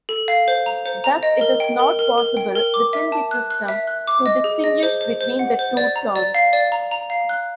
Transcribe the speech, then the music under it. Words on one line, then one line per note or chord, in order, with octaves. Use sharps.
Thus it is not possible, within the system, to distinguish between the two terms.
A4
F5
C5
A#5
C5
A#5
D#5
A#4
G5
A#4
A#4
A#4
G5
A#4
D6
E5
A5
F#6
F#6
E5
F#6
D6
D#5
G#4
D#5
C5
C5
C5
F#5
C5
D5
A#5
D5
F5
D5
A#5
A#5
F5
F#6